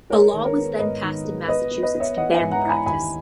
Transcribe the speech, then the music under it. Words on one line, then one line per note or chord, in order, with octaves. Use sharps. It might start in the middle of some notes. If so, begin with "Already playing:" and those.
A law was then passed in Massachusetts to ban the practice.
G#3 A#4 C#5
D#3
A#4 C#5
B3
G#2 B4 D#5
D#3
G#3
B3 B4 D#5
B3
B4 D#5
B3
C#5 E5
E3 D#5 F#5
E5 G#5
G#2
F#5 A#5
E3
G#5 B5
D#2 G#5 B5